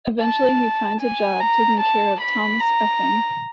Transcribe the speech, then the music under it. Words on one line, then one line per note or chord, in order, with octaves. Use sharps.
Eventually he finds a job taking care of Thomas Effing.
A5
G#5
A#5
A5
B5
A#5